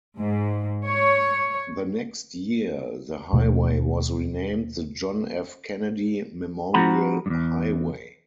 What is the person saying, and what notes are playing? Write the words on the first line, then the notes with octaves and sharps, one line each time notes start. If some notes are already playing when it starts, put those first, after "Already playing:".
The next year, the highway was renamed the John F. Kennedy Memorial Highway.
G#2
C#5
D#2 B2 A3
F3 C4 F#4 F#5 A#5 B5
E2 G2